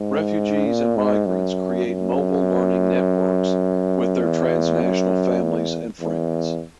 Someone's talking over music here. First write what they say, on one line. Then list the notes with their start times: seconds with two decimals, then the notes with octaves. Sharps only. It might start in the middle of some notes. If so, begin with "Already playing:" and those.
Refugees and migrants create mobile learning networks with their transnational families and friends.
Already playing: G#2
0.66 A#2
0.97 G#2
1.26 F#2
1.86 F#2
4.23 E2
4.82 F#2
5.42 E2
6.01 E2